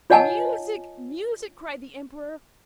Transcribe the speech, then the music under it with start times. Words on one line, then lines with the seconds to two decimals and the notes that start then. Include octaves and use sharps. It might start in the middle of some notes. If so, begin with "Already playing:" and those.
"Music! music!" cried the Emperor.
0.10 F4 C#5 D#5 F#5 G#5 A5